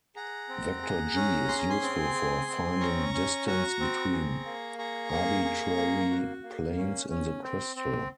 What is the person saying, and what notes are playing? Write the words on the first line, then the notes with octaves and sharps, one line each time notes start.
Vector G is useful for finding distance between arbitrary planes in the crystal.
G#4 F#5 A#5
C4
G#4
C#4
G#4 C6
A#5
G#5 C6
C4
G#4
C4
C#4 A#5 C#6
C#4
F#4 A#5 C#6
C4
G#4
A#3
G#4 A#5 C#6
A#3
G#4
A#3
F#4
A#3
C#4
C#4
C4
C4